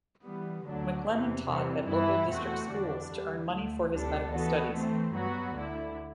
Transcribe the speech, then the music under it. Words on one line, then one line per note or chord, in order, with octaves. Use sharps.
MacLennan taught at local district schools to earn money for his medical studies.
E3 G3 B3
D2 D3 F#3 A3 D4
E2 C3 E3
C3 E3 G3
G2 E3 B3 E4
E2 B2 A3 C4 F#4
E2 D3 G3 D4
E2 D3 G3
D2 D3 A3
D2 C3 G3 D4 A4
E3 B3 F#4 A4
E3 A3 C4
G2 F#3 B3 F#4
D2 D3 A3 E4